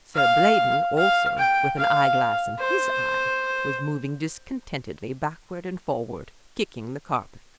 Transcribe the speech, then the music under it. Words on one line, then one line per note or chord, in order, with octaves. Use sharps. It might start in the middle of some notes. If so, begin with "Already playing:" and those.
Sir Blaydon also, with an eyeglass in his eye, was moving discontentedly backward and forward, kicking the carpet.
F5
F5
G5
F5
C5